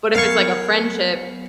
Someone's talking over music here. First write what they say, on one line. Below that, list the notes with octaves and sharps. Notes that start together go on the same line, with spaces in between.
But if it's, like, a friendship,
F#3 B3 A#4 F5 G#5 C#6 F6 G#6